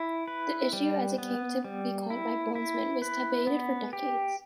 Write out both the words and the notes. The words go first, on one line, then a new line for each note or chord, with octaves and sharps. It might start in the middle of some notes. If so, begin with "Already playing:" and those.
"The issue", as it came to be called by Bonesmen, was debated for decades.
Already playing: E4
B4
G3
B3
G3
E4
E4
B4
B3
G4